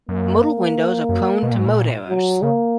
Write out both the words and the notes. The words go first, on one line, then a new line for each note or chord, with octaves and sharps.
Modal windows are prone to mode errors.
F#2 A#3
F#2
B2
A#2
G#2
A#2
F#3
C#3 A#3